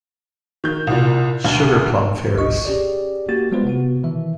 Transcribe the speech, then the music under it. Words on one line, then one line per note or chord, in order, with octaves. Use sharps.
Sugar Plum Fairies.
D#3 G6
C2 A#2
D2
G1 C#2 B2 D#5 C#6
C#4 G4 G#4 D5
A#3 F#4 G4 A6
G3 G#3 B3 F4 B4 C5
C3 B3 F#4
B2 D#3 E3 E5